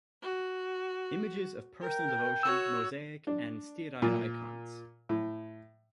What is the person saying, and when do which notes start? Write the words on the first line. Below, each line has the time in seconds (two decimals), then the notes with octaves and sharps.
Images of Personal Devotion: Mosaic and Steatite Icons.
0.23 F#4
1.81 A#4 G5
2.43 F#4 C#5 E6
3.27 D4
4.02 A#2
5.09 A2